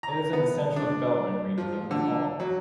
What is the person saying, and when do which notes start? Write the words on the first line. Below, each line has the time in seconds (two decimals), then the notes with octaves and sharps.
It is in the Central Development Region of Nepal.
0.03 A#5
0.33 B3
0.76 D4
1.58 F3
1.91 D3
2.40 F#3